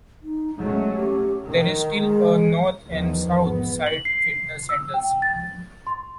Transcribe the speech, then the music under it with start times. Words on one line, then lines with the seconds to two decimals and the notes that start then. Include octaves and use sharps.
There is still a north and south side Fitness Centers.
0.23 D#4
0.57 F#3 G#3 A3 C#4
0.95 G4
1.47 D#3 A#4
1.92 G#3
2.88 E2 D#3 F3
3.40 G#1 B3
3.86 F#7
4.05 C7
4.69 E6
4.94 G5
5.22 A6
5.87 C6